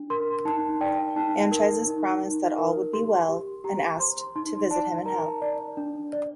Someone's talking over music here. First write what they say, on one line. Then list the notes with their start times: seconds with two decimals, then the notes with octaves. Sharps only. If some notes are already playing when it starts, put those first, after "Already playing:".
Anchises promised that all would be well and asked to visit him in hell.
Already playing: D4
0.10 A#4 C6
0.45 D#4 A5
0.81 D5 G5
1.16 D#4 A5
1.52 A#4
1.87 D#4
2.23 D#4
2.58 A#4
2.93 G4 C6
3.29 G4
3.64 G4 A#5
3.99 C5 C6
4.36 D#4 C6
4.71 D5 A5
4.99 A5
5.05 A#4 A#5
5.42 D5
5.77 D4
6.13 D5